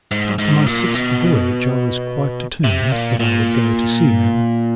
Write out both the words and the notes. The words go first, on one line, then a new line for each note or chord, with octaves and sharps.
After my sixth voyage I was quite determined that I would go to sea no more.
G#2
G#2
A#2
B2
C3
A#2
A#2